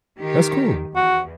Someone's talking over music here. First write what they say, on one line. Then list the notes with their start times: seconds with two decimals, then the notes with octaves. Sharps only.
That's cool.
0.18 D#3 G4
0.96 E2 F#4